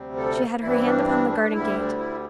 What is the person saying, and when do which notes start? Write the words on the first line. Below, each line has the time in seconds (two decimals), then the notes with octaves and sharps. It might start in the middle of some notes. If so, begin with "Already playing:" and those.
She had her hand upon the garden gate.
Already playing: D2 C3 G3 C4
0.17 A4
0.62 G2 E3 G3 C4 E4
0.85 D4
1.08 D4
1.29 D4
1.52 D2 D3 G3 E4
1.98 E4